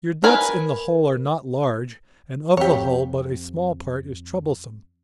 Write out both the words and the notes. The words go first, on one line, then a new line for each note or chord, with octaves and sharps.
Your debts in the whole are not large, and of the whole but a small part is troublesome.
A#4 B4 G#5
F2 G4 C#5